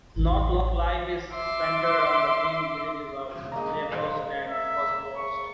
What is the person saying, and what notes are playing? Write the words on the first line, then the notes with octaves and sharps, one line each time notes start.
North Lochs life is centred on the twin villages of Leurbost and Crossbost.
A1 D#2
E5 C6 D6
G#3 A#3 A#5
C5
E5
C#6